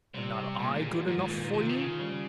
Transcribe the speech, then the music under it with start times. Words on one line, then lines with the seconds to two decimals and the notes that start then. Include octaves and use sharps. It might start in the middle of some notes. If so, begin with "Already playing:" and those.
Am not I good enough for you?'
0.14 C3 G3
0.60 A#2 G#3
0.76 A#2 G3
0.91 G#2 F3
1.07 G#2 D#3
1.18 G#2 D#3
1.29 A#2
1.37 D#3
1.53 C3 F3
1.69 D#3
1.76 C#3
1.99 G3